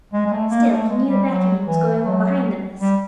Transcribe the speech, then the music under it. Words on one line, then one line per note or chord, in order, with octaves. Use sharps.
Still he knew the beckoning was going on behind the mist.
G#3
G#3
A3
A#3
A3
G#3
G3
F#3
E3
F#3
G3